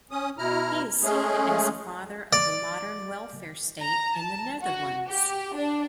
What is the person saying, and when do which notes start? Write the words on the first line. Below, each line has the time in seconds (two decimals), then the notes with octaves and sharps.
He is seen as the father of the modern welfare state in the Netherlands.
0.11 C#4 D#6
0.38 B2 E4 A#5 F6
1.03 G#3 A3 C#4 G#4
2.33 D5
3.82 A#5
4.17 A5
4.61 F#4
5.08 G4
5.54 D4